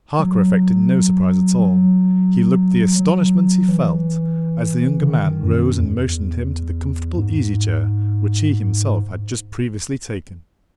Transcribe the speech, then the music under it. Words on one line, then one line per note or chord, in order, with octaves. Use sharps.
Harker affected no surprise at all--he looked the astonishment he felt as the younger man rose and motioned him to the comfortable easy-chair which he himself had just previously taken.
F#3
F#3
F#3
E3
C#3
D#3
F#2
E2
G#2